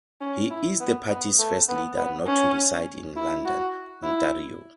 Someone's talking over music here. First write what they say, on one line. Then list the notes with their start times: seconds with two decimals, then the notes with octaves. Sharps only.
He is the party's first leader not to reside in London, Ontario.
0.21 C#4
0.50 E4
0.80 B3
1.09 B3
1.39 A3
1.69 B3
1.97 B3
2.27 C#4
3.16 E4
3.45 F#4
4.03 E4